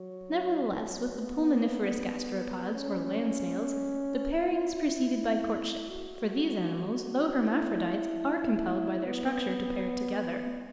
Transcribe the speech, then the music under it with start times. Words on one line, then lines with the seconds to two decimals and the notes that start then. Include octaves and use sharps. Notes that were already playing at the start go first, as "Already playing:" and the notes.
Nevertheless with the pulmoniferous gasteropods, or land-snails, the pairing is preceded by courtship; for these animals, though hermaphrodites, are compelled by their structure to pair together.
Already playing: F#3
1.16 B3
2.73 C#4
4.31 E4
5.89 F#4
7.46 E4
9.04 B3